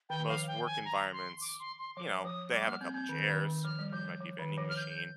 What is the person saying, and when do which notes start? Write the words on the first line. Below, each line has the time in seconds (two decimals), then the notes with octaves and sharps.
most work environments, you know, they have a couple chairs, there might be a vending machine.
0.10 D#3 G5
0.29 F3 F5
0.47 G5
0.66 G#5
0.85 A#5
1.13 C6
1.41 D6
1.59 C6
1.78 C6
1.96 F3 D6
2.24 F3 D#6
2.52 G3 D6
2.66 A#3 F6
2.81 C4 G6
2.94 C4 G6
3.09 D#3
3.27 D#3
3.46 D#3
3.64 F3 F6
3.79 G3
3.92 F3 G6
4.21 F3
4.39 D#3
4.58 F3
4.69 F6
4.77 G6